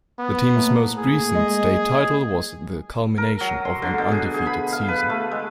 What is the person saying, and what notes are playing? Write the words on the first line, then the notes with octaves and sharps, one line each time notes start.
The teams most recent state title was the culmination of an undefeated season.
B3
A2 A#3
G#4
G#3 D#5
A#4
F#3
C6
D3
B2
G#4
G#4
B5
F5
B4
A3
G#3